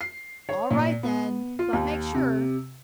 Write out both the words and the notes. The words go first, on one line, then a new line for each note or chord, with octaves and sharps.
"All right, then, but make sure."
C7
C#5
A#2
B3
F4
D#2
C3